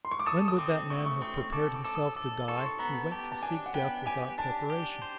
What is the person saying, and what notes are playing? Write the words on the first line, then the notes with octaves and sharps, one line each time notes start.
When would that man have prepared himself to die, who went to seek death without preparation?
C6
C#6
D6
A4 D#6
D#6
C4 D6
A3 C#6
C#6
C4 C#6
C#6
A4 D6
D6
A4 D6
D#6
A4 D6
A4 C#6
C6
C#6
B3 A#5
G4 A5
A5
D4 G#5
F#5
B3 G5
G4 G#5
D4 A5
G4
C5